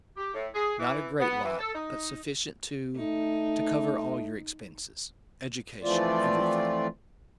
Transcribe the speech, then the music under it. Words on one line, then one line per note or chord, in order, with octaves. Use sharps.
Not a great lot--but sufficient to--to cover all your expenses. Education--everything.
G4
A2
G#4
E3
B3
E3
A4
D#4
A3 D#4
E3 F3 A3 C4 F4 D5